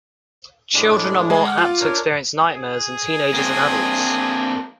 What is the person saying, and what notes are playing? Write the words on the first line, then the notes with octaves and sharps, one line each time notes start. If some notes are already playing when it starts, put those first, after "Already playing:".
Children are more apt to experience nightmares than teenagers and adults.
A2 G#3 D4
G#3 G#5 A5
F#5 D6 F6
F4
D4 A#4 C#5
G#4
A#3 C4 D4